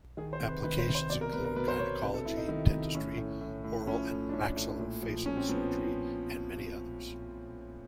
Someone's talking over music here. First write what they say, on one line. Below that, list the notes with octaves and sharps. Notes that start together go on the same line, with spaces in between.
Applications include gynecology, dentistry, oral and maxillofacial surgery, and many others.
D#3 G#4
C5
C3
B4
D#3 B4
C5
C3
C5
B2 D5
A#4
B2 B4
A#4
B2 B4
C5
B2 C#5
C3 B4
A4
C3 E4
D#4
D#3 E4
C3
A2 C#4
A2
A2
A2
F3 C#4
A2
D4
A2 C#4
A2
A#2
F3
F3 C#4
C4
F3 B3